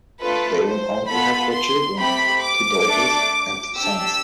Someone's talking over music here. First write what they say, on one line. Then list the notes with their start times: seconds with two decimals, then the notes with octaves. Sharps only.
They went on to have four children-two daughters and two sons.
0.20 A3 D4 F4 A4 B4
0.65 C5
1.09 B3 F4 A4 B5
1.53 C6
1.98 A3 C4 G4 B5
2.42 D6
2.87 A3 D4 A4
3.76 D4 G4 E6